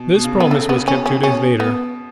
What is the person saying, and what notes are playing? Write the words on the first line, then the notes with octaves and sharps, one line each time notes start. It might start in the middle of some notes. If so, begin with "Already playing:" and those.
This promise was kept two days later.
Already playing: B2
B2
C#3
B2
B3
C#3 A3
B3
C#3
B2 C#4
C#4
B2 C#4
B3